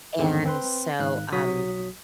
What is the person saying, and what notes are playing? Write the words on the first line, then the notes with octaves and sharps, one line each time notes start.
and so, um,
E2 G#2 D3 D#3 G#3 C4
C4 B4 C6
G#1 G#2 F5 F#6
B1 F#3 F#4 D#6 B6